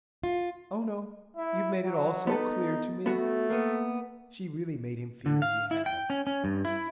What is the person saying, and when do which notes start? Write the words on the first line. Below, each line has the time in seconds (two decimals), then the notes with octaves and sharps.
"Oh, no; you've made it all so clear to me!" She really made him feel he had.
0.24 F4
1.37 E4
1.84 F#3
2.27 B3 D#4 A4 B4
3.06 A3 B3 F#4
3.50 A#3 B3
5.26 D3
5.42 F5
5.71 E4
5.86 G5
6.10 C#4
6.27 C#4
6.44 G2
6.65 E4